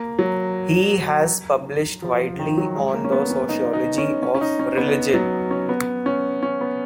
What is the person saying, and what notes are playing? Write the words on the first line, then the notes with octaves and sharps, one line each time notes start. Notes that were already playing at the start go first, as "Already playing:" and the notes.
He has published widely on the sociology of religion.
Already playing: A#3
F#3
F3
F3
D#3
F#3
G#3
A#3
C#4
B3
C#4
D#4
D#4
C#4
C#4
C#4
D#4
C#4
B3
F#3
C#4
B3
C#4
C#4
B3